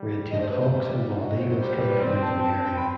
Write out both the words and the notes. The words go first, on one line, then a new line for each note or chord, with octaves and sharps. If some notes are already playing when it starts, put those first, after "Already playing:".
Red-tailed hawks and bald eagles can be found in the area.
Already playing: G3
A3 D#5
C5
B4
C5
G3
F#3 E5
D#5
C5
C5
G3 C5
B4
C4 C5
A5
C4 A5
G5
B5